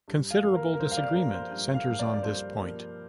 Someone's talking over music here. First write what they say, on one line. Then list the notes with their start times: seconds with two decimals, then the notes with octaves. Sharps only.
Considerable disagreement centers on this point.
0.08 G2
0.31 F5
0.42 F3 A#3
0.55 A#4
0.73 A#4
0.80 G2 C5
0.91 F5
0.97 D5
1.15 F3 A#3 A#4
1.34 C5
1.51 G2
1.75 F5
1.87 F3 A#3
1.99 D5
2.14 D5
2.23 G2 C5
2.59 F3 A#3